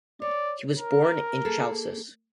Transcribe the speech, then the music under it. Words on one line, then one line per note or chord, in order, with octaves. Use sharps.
He was born in Chalcis.
C#5 D5
A#4
A#3 G#4 A4